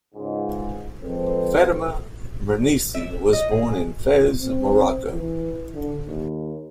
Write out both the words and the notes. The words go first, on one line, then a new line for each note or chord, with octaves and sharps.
Fatema Mernissi was born in Fez, Morocco.
C#2 G#2
F3 G#3 C4 A4 B4 C5
E5
D#5
G#4
C4
E3
D3
D#2